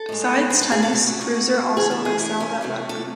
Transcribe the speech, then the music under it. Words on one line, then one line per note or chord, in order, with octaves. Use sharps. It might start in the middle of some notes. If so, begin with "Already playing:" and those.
Besides tennis, Kreuzer also excelled at rugby.
Already playing: A4
A2 G#3
C5
A4
G#4
A4
C#3 F#3 A3
F#4
F#4
C#3 E3 A3 G#4
A4
G#4
E4
C#4
C3 F#3 A3
A4